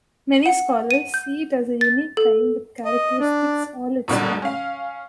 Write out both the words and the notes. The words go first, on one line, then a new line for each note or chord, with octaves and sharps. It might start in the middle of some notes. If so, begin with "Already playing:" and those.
Many scholars see it as a unique time with characteristics all its own.
F#5
D#7
G6
A6
A4
D#5
D4
F#2 B2 D3 G3
C#4 F5